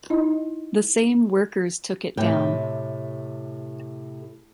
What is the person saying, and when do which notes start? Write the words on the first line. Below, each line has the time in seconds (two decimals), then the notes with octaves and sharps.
The same workers took it down.
0.10 D#4 E4 D#5
2.17 A2 C3 G5